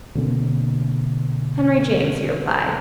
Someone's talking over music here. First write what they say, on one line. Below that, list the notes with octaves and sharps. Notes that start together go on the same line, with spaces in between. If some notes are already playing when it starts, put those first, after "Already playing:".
"Henry James," he replied.
B2 D3 A#3 C4